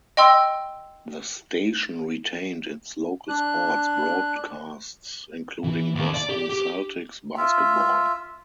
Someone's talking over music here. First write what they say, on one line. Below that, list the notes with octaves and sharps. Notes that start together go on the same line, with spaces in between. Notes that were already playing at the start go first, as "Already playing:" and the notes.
The station retained its local sports broadcasts including Boston Celtics basketball.
D#5 G5 C6 E6
D4 F#6
E3
D#2
D5
G4
G4
F4 E5